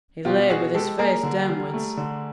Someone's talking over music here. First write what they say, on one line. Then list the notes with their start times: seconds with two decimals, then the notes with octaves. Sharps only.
He lay with his face downwards.
0.25 B2 F4 G4
0.49 B2 F#4 G#4
0.74 G#3 G4 A4
0.98 A#3 G#4 A#4
1.23 D3
1.49 G3
1.74 A3
1.97 D3